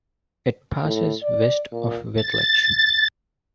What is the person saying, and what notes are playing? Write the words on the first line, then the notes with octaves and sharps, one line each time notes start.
It passes west of Wittlich.
A2
D5
A#2
A6